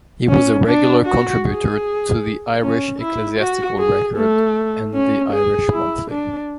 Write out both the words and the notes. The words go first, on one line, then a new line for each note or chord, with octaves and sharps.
He was a regular contributor the "Irish Ecclesiastical Record" and the "Irish Monthly".
C#4
D4
F#4
G#4
C#4
E4
F#4
G#4
A3
C#4
G#4
E4
D4